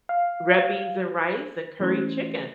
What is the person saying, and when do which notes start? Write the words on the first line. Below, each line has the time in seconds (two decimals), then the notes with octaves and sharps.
red beans and rice and curry chicken,
0.09 F5
1.80 E3 A3 C#4 C5